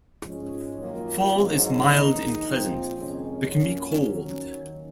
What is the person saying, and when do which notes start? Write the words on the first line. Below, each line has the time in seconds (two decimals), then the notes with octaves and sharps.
Fall is mild and pleasant, but can be cold.
0.24 G#2 F3 G#3 C#4
0.78 F#2 D#3 A#3 F4
1.33 G#1 G#2 F#3
1.87 D#2 D#3 G#3 D#4
2.42 A#1 A#2 F3 C4
2.97 F2 C3 D#3 G#3 C#4
3.51 F#1 F#2 F3 A#3 C#4
4.06 D#2 D#3 F#3 C#4
4.60 D#2 D#3